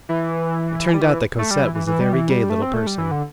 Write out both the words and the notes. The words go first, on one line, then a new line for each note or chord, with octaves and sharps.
It turned out that Cosette was a very gay little person.
E3
G3
E3
A3
G3
E3
E3
E3
G3
E3
G3
A3
C4
A3
G3
E3
D3